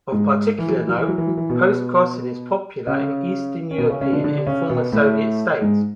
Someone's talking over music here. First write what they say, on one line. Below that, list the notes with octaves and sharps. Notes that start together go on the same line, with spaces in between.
Of particular note, postcrossing is popular in eastern European and former-Soviet states.
G#2 G#3
E3
F#3
E3
F#3
E3
F#3
E3
F#3
E3
B2 B3
C#3 C#4
C#4
B2 B3
C#3 C#4
C#3 C#4
D3 D4
D3 D4
C#3 C#4
B2 B3
A2 A3
G#2 G#3